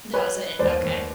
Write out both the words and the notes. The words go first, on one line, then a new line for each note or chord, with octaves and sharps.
That was it, okay.
F#3 B4 C#5
F#3
D#2 C5 D5
D#2